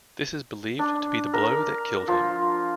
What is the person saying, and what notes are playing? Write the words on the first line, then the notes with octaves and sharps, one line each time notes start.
This is believed to be the blow that killed him.
D4
A#4
F3